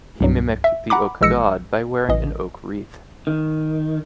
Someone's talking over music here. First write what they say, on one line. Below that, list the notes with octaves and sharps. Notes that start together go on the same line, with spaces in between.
He mimicked the oak-god by wearing an oak wreath.
C2 G2 F#3
E5
F#5 A#5 B5 D6
A#1 E3 G#3 E6 A#6 C#7
A1 E3 D#5
D#3